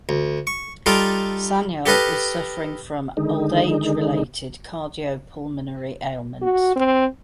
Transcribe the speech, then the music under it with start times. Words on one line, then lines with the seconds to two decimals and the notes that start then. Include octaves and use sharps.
Sanyal was suffering from old-age related cardio pulmonary ailments.
0.09 D2
0.47 C#6
0.86 G3 D#4 F4 A4 D5 F5
1.86 G4 A4 B4 D#5 F5
3.17 D3 D#3 G#3 D#4
6.42 F#4
6.76 C4